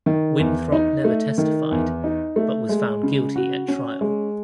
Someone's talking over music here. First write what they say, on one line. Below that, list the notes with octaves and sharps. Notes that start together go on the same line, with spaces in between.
Winthrop never testified, but was found guilty at trial.
D#3
E2
D#4
A3
D#3
E2
D#4
A3
G#3
C#3
F#4
C#4
G#3